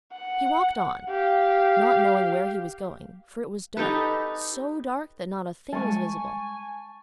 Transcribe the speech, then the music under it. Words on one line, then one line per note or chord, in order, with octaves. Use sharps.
He walked on, not knowing where he was going, for it was dark, so dark that not a thing was visible.
F#5
G4 F5
D#4 G4 A4 B4
G3 G#3 G#5 A5 C#6